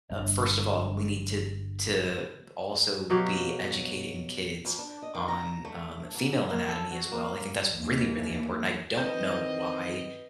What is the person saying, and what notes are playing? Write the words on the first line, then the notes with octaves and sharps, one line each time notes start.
uh, first of all, we need to to also be educating kids on, um, the female anatomy as well. I think that's really, really important, I don't know why
G1 G2
B2 F#3 G4 F5
F2
D4
D#5
D#3
A#5
A3
G#2
A#3
A4
F#4
A#3
D#2 E3 A#3
D#3 E3 C4 B4 D#5 G6